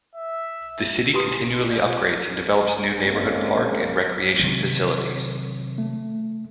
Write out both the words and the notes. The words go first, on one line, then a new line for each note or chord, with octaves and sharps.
The city continually upgrades and develops new neighborhood park and recreation facilities.
E5
E4 G4 B4 G#5 C6 D#6
D5 G#5
D3 G#3 A#3 C4 C#4
C3 D#3 F#3
A3